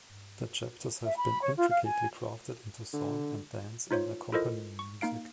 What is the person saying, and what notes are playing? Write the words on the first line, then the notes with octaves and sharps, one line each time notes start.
The chapters have been intricately crafted into song and dance and accompanying music.
E5
B5
C#5
F4
F5
G#5
D3
D#4 F4 C5 C#5
E4 F4 A4 A#4 C5 D#5
C#6
A#3 D#4 F5 D7